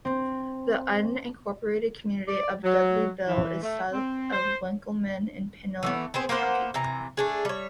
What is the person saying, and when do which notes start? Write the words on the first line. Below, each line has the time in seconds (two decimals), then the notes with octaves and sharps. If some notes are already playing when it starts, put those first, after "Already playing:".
The unincorporated community of Dudleyville is south of Winkelman, in Pinal County.
0.05 C4
2.28 D5
2.64 F#3
3.28 E3
3.63 A3
3.93 C4
4.33 C5
5.83 E3 A3 B3
6.14 B3 C4 G#4 C5
6.29 A#3 B3 C5 F#5
6.74 C3 E3 A#5
7.17 A3 D4 G#4
7.45 G3 C#5